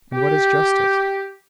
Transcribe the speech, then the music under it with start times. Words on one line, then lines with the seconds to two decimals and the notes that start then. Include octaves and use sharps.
And what is justice?
0.14 G4